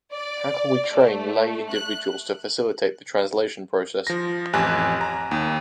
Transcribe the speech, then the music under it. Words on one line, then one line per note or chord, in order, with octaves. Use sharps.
How can we train lay individuals to facilitate the translation process?
D5
A3
F#6
F3 A#6
A1 F2 G4 G#5 F#6
A#5
D#2